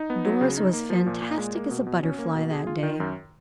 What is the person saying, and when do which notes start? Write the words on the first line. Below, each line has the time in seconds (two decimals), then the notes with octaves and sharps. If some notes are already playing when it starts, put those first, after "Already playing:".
Doris was fantastic as a butterfly that day.
Already playing: D#4
0.10 B3
0.25 F#3
0.41 C#3
0.57 D#4
0.73 A#3
0.90 F3
1.07 A#2
1.22 A#2
1.38 G#3
1.55 A#3
1.71 B2
1.87 B2
2.03 C#4
2.19 A#3
2.35 B2
2.51 G#4
2.67 F4
2.83 D#3
3.00 F#2